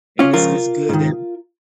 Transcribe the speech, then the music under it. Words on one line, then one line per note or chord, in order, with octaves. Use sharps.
And it's just good that
C#4 F4
C#2 C#3 F3 F4 A#4
G#2 D#3